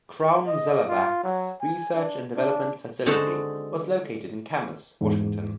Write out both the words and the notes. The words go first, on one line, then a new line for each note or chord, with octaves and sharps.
Crown Zellerbach's research and development facility was located in Camas, Washington.
D#5
F4
F#3
G#5
D4
D4
D3 G#3 D#4 F#4 A4 C5
E2 G#2